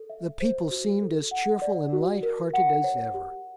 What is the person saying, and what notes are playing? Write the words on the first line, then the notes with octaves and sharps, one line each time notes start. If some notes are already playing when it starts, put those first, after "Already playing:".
The people seemed as cheerful and light-hearted as ever.
Already playing: A4
E5
C5
F#4
A4
F#5
D5
F#4
A#4
F#5
C#5
G4